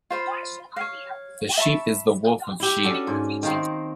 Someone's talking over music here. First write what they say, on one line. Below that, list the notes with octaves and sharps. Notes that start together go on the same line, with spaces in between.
The sheep is the wolf of sheep.
F4 C5 B5
C#5 F5
E5 A5 B5 C#6
E4 G4
C#4 D4 F#4 A4
G#2
D#3 A#3 C4